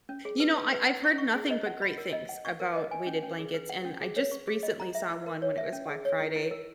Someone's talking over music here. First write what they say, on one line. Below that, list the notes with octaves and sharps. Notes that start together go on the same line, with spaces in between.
You know, I I've heard nothing but great things about weighted blankets, and I just recently saw one when it was Black Friday,
C#4
G#4
B4
B4
B4
F#5
C#6
C#6
G#4
D#5
F#5
B5
A#4
D#5
F#5
C#6
A#4
D#5
G#5
C#4
C#4
G#4
B4
F#5
C#4
G#4
C#5
C#6
G#4
D#5
A#5
E5
E4
A#4
C#5
E5
C#4
G#4
C#5
E4
E4
A#4